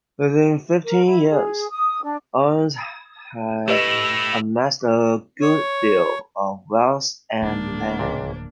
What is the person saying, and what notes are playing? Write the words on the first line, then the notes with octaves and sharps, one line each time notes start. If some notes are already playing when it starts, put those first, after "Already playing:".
Within fifteen years, Owings had amassed a good deal of wealth and land.
A#4
E4
G#4
D#6
D4
A3 E4 G4 B4 D#5 E6 A#6
C#5
D1 F3 A#3 D4
C#2 A#2